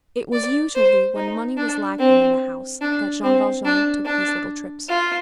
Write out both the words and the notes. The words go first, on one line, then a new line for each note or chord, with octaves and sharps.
It was usually when money was lacking in the house that Jean Valjean took these little trips.
D5
C5
D#4
D4
C4
D4
C4
D4
D4
F4